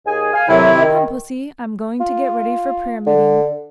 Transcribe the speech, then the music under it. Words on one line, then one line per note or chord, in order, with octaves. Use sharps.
Come, pussy, I'm going to get ready for prayer meeting.
D#2 G#4 G#5
F5 G#5
A2 C3 D#3 F#3 E4
D#3
F4
D3